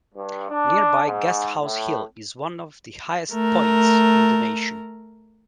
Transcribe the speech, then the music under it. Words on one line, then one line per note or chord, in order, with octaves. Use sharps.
Nearby Guesthouse Hill is one of the highest points in the nation.
G2
D4
G#2
A2
A3 A#4